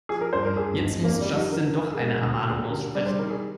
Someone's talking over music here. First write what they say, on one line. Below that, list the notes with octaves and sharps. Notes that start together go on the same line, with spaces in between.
Jetzt muss Justin doch eine Ermahnung aussprechen.
F3 G#4
A#4
G2 C5
A#4
G2 G#4
G#1
F2 A#3
G3
D3
D#4
D3 A#4
A#4
D3
A#4
G#4
G#3 A#4
D2
D2 G#4
G4
D3 A#4
G3 D5
C5
D#3 A#4
G#4